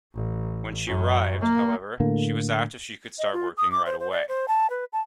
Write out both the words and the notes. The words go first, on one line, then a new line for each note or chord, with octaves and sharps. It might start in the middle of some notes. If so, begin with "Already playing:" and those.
When she arrived, however, she was asked if she could start working right away.
A1
F#2
A#3
A2 D3 A3 A#3
D#5
F4
D#6
D6
C5
C5
D5
C5
A5
B4
A5